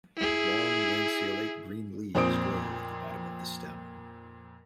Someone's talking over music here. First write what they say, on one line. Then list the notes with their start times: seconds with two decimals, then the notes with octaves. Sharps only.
Long lanceolate green leaves grow at the bottom of the stem.
0.16 E4 G#4
2.15 F2 A#2 C4 C5 D#6 D7